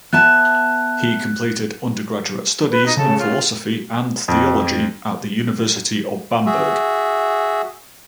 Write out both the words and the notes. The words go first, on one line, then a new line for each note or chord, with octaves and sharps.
He completed undergraduate studies in philosophy and theology at the University of Bamberg.
B3 E5 A5 F#6
B4
D#4
C#3 A4
F4
F2
F#4 G#4 E5